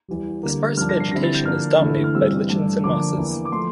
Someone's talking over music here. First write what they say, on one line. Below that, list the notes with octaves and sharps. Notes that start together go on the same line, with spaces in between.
The sparse vegetation is dominated by lichens and mosses.
E2 E3 G3
D3 G3 A#3
G2 F3 A#3 D4 F6
A#6
C7
D3 G3 C4 E4 A#6
A6
G6
D3 F3 A#3 D4 F6
E2 D3 A3 E4
F6
G2 E3 G3 C4 E6
G2 E3 A3 D4
D3 F3 A#3 D4 D6
E2 E3 A#3 E4
D6
F3 A3 C6